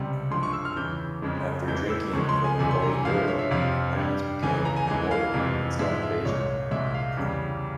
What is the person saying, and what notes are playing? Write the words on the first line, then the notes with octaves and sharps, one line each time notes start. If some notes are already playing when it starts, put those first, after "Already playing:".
After drinking from the Holy Grail, Irons became immortal and stopped aging.
Already playing: C#2 C3 G3
G2 F3 G#3 C6
C#6
E6
F6
E2 C#3 E3 G6
F2 C#3 F3 G#3
E2 E3 G#3 G6
E6
C#2 C#3 F3 G#3 C#6
C6
G#5
E2 C3 G3 G#5
C6
A#5
G#5
G2 F3 G#3 F5
E5
C#5
E5
F2 C3 F3 F5
G2 G3
C#2 C#3 E3 G#5
A#5
G#5
E2 E3 G#3 G#5
F5
F2 C3 E3 G#3
G#2 F3 G#3 E5
E5
C2 A#2 G#3 C#5
C2 A#2 G#3 E5
F5
E2 C#3 G3